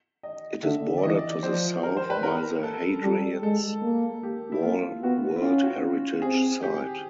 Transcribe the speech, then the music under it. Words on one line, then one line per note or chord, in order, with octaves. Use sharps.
It is bordered to the south by the Hadrian’s Wall World Heritage Site.
D#5
D3 E5
D5
E3 D#5
D5
D5
F3 C5
A#4
C5
B4
A#4
A4
G3 A4
G#3 A4
A#3
G4
E4
A#3 F4
B3 F#4
E4
C#4 F4
F#4
C4 G#4
G4